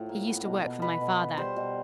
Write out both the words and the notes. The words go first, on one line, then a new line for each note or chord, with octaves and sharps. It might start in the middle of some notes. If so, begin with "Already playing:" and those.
He used to work for my father.
Already playing: A2 F3
A#3
B3
B2
B2
B2 B4
B2
B3
G3 C5
B2